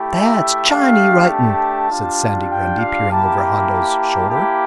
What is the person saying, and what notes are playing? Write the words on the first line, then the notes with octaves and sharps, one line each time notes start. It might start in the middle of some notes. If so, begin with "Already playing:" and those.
"That's Chiny writin'," said Sandy Grundy, peering over Hondo's shoulder.
Already playing: A3 E4 G4
E5
A3 D4 G4 F5
A5
G3 D4 F4
G5
F5
A#3 E4 G4 A5
A5
A#3 E4 G4